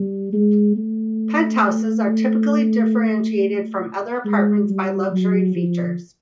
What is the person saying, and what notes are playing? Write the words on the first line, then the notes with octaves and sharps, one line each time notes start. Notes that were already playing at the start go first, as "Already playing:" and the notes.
Penthouses are typically differentiated from other apartments by luxury features.
Already playing: G3
G#3
A3
G#3
G3
F#3
F3